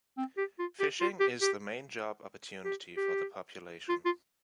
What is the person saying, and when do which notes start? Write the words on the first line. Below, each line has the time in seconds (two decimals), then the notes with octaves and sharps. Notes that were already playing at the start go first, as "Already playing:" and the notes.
Fishing is the main job opportunity for the population.
0.17 C4
0.37 G4
0.59 F4
0.80 G4
1.00 F4
1.20 G4
1.41 G4
2.65 G4
2.97 G4
3.89 F4
4.05 F4